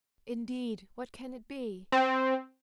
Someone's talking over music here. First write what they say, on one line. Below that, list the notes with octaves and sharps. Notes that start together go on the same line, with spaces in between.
"Indeed! what can it be?"
C4